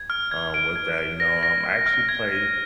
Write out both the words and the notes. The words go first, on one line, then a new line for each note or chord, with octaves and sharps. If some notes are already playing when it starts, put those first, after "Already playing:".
um, with that, you know, um, I actually play,
Already playing: G#6
F6
G#6
D7
G#6
D7
A#6
A#6
F6
F6
G#6
D#7